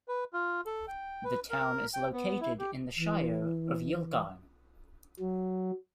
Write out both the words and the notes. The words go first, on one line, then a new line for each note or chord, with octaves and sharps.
The town is located in the Shire of Yilgarn.
B4
F4
A4
G5
B4
A#4
G5
B3
E4
G4
E3
F#3